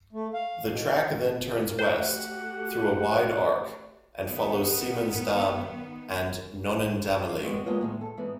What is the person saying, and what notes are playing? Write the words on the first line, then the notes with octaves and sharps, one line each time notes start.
The track then turns west through a wide arc and follows Siemensdamm and Nonnendammallee.
A3
F5
B2
A3 F#4 G4 C5 F#5
D#3 B3
F5
G#3 B3 C4 F#4 G4
G#3 A#3 B3 F4 G4 C#5
A2 D#3 G#3
A4
G#2 E3 B3